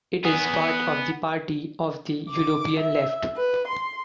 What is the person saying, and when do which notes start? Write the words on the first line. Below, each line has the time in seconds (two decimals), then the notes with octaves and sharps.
It is part of the Party of the European Left.
0.25 B3 G#4
2.29 D6
2.79 E5
3.37 B4
3.67 C6